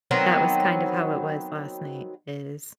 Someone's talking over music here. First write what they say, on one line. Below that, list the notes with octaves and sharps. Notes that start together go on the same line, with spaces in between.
That was kind of how it was last night is
D#3 F#3 B3 C4